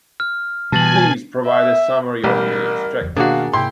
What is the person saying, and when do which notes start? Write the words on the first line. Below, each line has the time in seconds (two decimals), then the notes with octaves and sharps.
Please provide a summary of the extract.
0.20 F6
0.72 B2 E3 G3 G#5 A5 A6 F#7
1.46 E5
2.24 A1 B2 G3 G4 A#4
3.01 F#1 E2 F#3
3.17 B2 D#3 A#3 B3 D4 F#4 G#4 F5
3.53 G#2 C3 E4 G5 C6